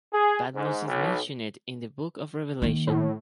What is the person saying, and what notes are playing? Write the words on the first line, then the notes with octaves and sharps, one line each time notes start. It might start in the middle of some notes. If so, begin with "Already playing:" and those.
Patmos is mentioned in the Book of Revelation.
G#4
G#2
B1
D#3 A#3
A2